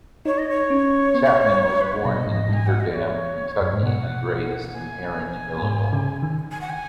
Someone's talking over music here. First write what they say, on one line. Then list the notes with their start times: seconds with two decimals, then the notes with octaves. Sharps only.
Chapman was born in Beaver Dam, Kentucky, and raised in Herrin, Illinois.
0.25 D#4 C#5
0.38 D#5
0.49 C#5
0.70 C#4
1.14 B3
1.80 B4
1.92 C#5
2.05 B2 D#5
2.27 G#2
2.49 G#2 G#5
2.66 F#5
2.80 D#5
2.93 C#5
3.61 F#2
3.73 G#2
3.83 B2 F#5
4.73 G#5
5.62 G#2
5.93 C#3
6.22 D#3
6.51 G#5
6.61 F#5
6.69 G#5